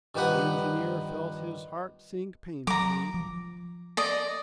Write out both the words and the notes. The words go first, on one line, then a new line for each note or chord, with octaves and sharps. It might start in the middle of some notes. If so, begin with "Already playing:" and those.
The engineer felt his heart sink painfully.
G2 D#3 F3 G4 B4 F#5
F#3 A#5 D6
F3
D5 D#5